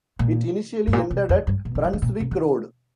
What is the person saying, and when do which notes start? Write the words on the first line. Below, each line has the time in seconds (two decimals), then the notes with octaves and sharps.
It initially ended at Brunswick Road.
0.19 A#2
0.87 G2
0.93 A#2
1.11 C3
1.29 F2
1.47 G2
1.65 A#2
1.75 C3
1.84 F3
1.93 D3
2.02 A#2
2.20 C3
2.31 D3